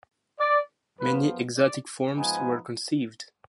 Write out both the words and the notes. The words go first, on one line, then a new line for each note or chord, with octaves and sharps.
Many exotic forms were conceived.
D5
F#2 F3 B3 B4
D5
G#2 F3 B3 D#4 G#5